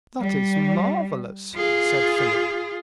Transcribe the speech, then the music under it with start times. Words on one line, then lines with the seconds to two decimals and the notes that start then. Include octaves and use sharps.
"That is marvelous!" said Philip.
0.20 G3
1.55 F4 G#4